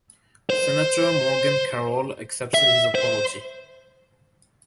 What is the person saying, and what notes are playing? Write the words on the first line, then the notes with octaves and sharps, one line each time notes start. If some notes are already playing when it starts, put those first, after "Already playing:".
Senator Morgan Carroll accepted his apology.
C5
E5
C5